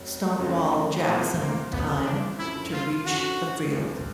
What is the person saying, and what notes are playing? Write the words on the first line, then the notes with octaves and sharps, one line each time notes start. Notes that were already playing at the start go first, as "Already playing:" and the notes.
"Stonewall" Jackson time to reach the field.
Already playing: F1 F#3
F1 F2 C#3 F#3 A3
C2 A#2 F3 G#3 A3 C4
A#3
C2 A#2 F3 G#3 B3 C4
D4
F#2 D3 F3 E4
F4
F#2 D3 F3 F#4
D2 C3 F3